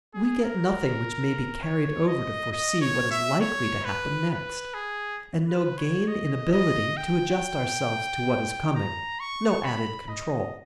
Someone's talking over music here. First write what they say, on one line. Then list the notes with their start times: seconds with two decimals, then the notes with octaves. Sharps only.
We get nothing which may be carried over to foresee what is likely to happen next, and no gain in ability to adjust ourselves to what is coming--no added control.
0.14 G#4
0.44 A#4
1.63 C#5
2.07 D#5
2.52 D#5
2.81 C#5
3.11 E5
3.41 C#5
3.85 B4
4.30 B4
4.74 G#4
5.48 B4
5.78 C#5
6.08 D#5
6.52 D#5
6.97 G5
8.75 A#5
9.20 C#6
9.64 B5
10.09 D#5